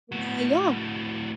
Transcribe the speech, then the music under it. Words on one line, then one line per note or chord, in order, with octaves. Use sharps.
Uh, yeah.
A2 F#4